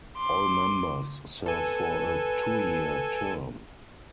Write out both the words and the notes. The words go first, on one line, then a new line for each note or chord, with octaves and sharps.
All members serve for a two-year term.
C6 D6
A4 B4 G#5